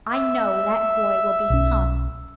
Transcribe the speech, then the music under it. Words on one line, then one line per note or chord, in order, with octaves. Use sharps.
'I know that boy will be hung.'
E5
B1 C#4